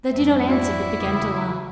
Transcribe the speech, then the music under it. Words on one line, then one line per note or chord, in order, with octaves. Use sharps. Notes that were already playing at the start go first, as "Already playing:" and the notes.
They did not answer but began to laugh.
F2 G#2 F#3 E5
E4 F#4 D5
E2 C#3 E3 D6 D#6